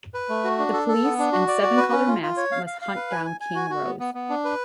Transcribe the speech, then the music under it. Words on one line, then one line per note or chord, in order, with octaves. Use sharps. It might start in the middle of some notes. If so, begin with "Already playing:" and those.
The police and Seven Color Mask must hunt down King Rose.
B4
A3
F#4
D4
A4
A4
B3
D4
F#4
D5
F#4
B4
C#4
F4
F4
C#5
F5
F5
F5
B4
G#5
G#5
G#5
F#4
F#4
B3
B3
B3
D4
B4